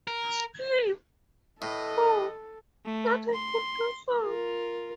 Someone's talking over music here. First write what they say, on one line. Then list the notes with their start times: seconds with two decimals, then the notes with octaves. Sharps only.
Sleep. Oh, that I could do so.
0.07 A#4
1.62 A2 A4 B4 D#5
2.85 A3
3.34 C6
4.23 F4 A#4